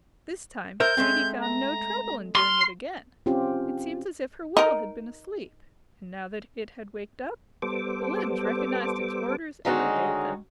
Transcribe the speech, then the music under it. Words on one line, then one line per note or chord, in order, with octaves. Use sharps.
This time Katy found no trouble in "doing it again." It seemed as if her will had been asleep; and now that it had waked up, the limbs recognized its orders and obeyed them.
A#4 C5 E5 G6
G#3 A3 C4
A#5
C6 F6
C4 C#4 F4 G4
D#4 A#4
G3 B3 A4 C5 D6
D3 D#3 G#3 C#4 D#4 F#4